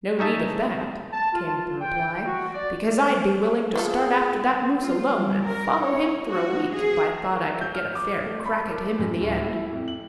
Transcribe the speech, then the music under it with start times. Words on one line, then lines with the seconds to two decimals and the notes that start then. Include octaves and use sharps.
"No need of that," came the reply, "because I'd be willing to start after that moose alone, and follow him for a week, if I thought I could get a fair crack at him in the end."
0.19 C#4 D#4 E5 A5
1.13 A5
1.33 F4
1.81 G5
2.25 F#4
2.54 D5
3.76 B3 F4 G#4 A4
4.82 F4
5.13 G3
5.46 A#4
5.83 C#5
6.27 F#4
6.74 G#4
7.31 A#4
7.61 G6
7.75 F6
7.95 D6
8.25 A3
8.45 B5
8.69 A#4
8.99 F#2
9.21 D1
9.36 E4
9.72 F2
9.88 F#7